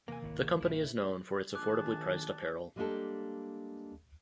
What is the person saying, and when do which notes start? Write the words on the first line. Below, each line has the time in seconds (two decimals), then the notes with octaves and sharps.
The company is known for its affordably priced apparel.
0.08 E2 C3 A#3 G#5
0.22 G1 C2 G#2 D#3 E4 C#5
0.61 C2 G#2 B2 E4 C5 E5
1.55 A#1 D#3 G#4 A5 D6 F#6 G#6
2.76 G3 G#3 A#3 D4 G4 A4